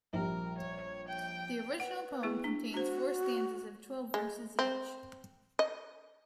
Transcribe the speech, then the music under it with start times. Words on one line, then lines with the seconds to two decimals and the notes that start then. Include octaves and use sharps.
The original poem contains four stanzas of twelve verses each.
0.13 A#1 G3 A#4
0.58 C#5
1.08 G5
1.80 B4 F#5
2.23 B3 E4 G#4
2.44 D4
2.74 D4 F#4 C5
4.14 G#3
4.59 C4
5.59 D#5